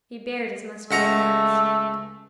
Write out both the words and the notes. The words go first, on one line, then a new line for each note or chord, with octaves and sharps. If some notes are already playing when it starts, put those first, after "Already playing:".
He bared his muscular arms.
C#2 A3 F#5 A#5